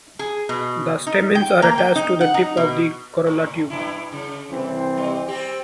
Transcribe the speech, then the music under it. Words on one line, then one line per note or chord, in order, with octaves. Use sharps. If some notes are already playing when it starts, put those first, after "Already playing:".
The stamens are attached to the tip of the corolla tube.
G#4
B2
D#4
G5
A#3
G5
D#4
F#5
D#4
B2
A2
F#2 B2 E4
C#3
C2 E3 C4
G3
G3 C4 G4